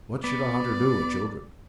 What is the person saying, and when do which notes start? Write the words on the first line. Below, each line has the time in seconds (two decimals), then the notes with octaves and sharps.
What should a hunter do with children?
0.24 B3 D5